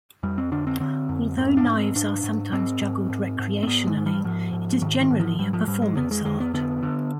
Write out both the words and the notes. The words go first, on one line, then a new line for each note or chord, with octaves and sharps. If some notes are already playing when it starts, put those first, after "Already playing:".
Although knives are sometimes juggled recreationally, it is generally a performance art.
F2 G3
C4
D3 D4
C4
D3 C4
F2
G#2 C4
D4
G#2
C4
G#2 D4
G#2
G#2 C4
G#2
G#2
G#2
C4
G#2 B3
G#3
G#2
G3
G#2 F3
G#2
G#2 D#3
D#3
G#2
F3
G#2 G3
F3
G#2 G3
G#3
F2 B3
G#3
F2 G#3
B3
D3 B3
D3